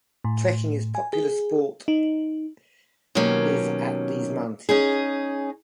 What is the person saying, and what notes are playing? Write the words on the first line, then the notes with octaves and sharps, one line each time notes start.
Trekking is popular sport is at these mountains.
A2
G#5
G#4
D#4
B2 D#3 F#3 A#3 C#4 G4
C#4 D#4 G#4